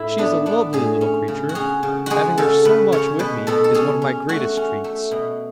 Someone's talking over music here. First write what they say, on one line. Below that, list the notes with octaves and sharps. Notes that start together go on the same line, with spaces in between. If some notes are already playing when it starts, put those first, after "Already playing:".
She is a lovely little creature: having her so much with me is one of my greatest treats.
Already playing: A2 E4
B3 D4
B3 D4
A2 G#4
C#4
C#3
F#4
C#4 G#4
C#3
G#3 F#4 G#4
C#3 A4
C#3 B4
C#3 C#5
B2 B4
B2 A4
A4
C#4 G#4
C#4
A3 F#4
C#4
A3
B2